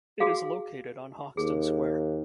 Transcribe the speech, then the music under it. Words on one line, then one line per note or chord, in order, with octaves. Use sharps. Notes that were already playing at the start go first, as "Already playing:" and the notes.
It is located on Hoxton Square.
F#4 G#4 F5
D#2 G#4